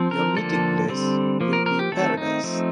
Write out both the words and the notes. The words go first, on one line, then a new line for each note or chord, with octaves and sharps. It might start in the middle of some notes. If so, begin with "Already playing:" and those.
Your meeting-place will be Paradise.
Already playing: F3 C4
A#4
D3 F3 A#3 A4
D3 G3 C4
F3 A#3
A#4
A#4
G4
D#3 A3 C4 A4
D#4
F3 A3 C4